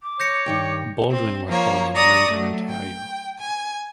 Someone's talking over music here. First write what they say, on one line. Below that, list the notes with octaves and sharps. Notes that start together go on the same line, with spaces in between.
Baldwin was born in London, Ontario.
D6
C#5 G6 A#6 C#7
G2 D#3 G5
C4
F3 A#3 C#5
D5 A#5 C#6 D#6 A#6
F#3 A3
G5
G#5